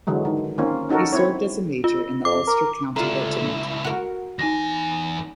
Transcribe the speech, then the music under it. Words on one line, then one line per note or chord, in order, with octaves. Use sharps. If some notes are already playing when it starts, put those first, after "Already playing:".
He served as a Major in the Ulster County Regiment.
D3 E3 F#3 G#3
D#3
D#3 A#3 C4 C#4 F4
C#4 D#4 F#4 A4 A#4
C4 E4 C#5
F4
F2 D6
A#4
C#2 D3 E4 F4 A#5
F#4 A#4
E2 D#4 G#5 A#6